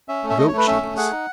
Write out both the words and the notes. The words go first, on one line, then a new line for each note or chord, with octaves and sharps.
Goat cheese.
C#4 E5
A3
E5
A3 D#5
C#5
A3 B4
C#4 E5
A3
G#4 F#5
D#4